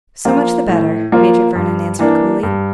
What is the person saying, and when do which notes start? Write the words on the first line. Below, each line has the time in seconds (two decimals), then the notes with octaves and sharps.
"So much the better," Major Vernon answered, coolly.
0.25 F3 A#3 F4
0.68 A2
1.12 F3 A#3 F4
1.55 G2
1.99 E3 A#3 D4
2.43 G2